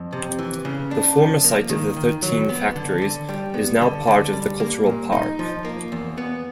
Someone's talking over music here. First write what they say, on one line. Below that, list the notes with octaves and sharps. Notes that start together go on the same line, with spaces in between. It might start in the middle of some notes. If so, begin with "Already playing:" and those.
The former site of the thirteen factories is now part of the Cultural Park.
Already playing: F2
C3
E3
C#3
D4
F3
A#3
D#3
D#3
F#3
B3
D3
D3
G3
B3
D3
D3
G3
A#3
A#2
D#4
F3
A#3
E2
B3